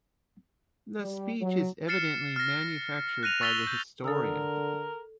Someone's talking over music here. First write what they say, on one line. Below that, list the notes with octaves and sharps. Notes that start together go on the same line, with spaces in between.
The speech is evidently manufactured by the historian.
G3
F#3
F6 A6 C7 C#7 E7
F6 A#6
F#6 A#6 D#7 F7
C#6 E6 A6 B6 F7 G7
G6
D3 A4 A#4 D#6 E6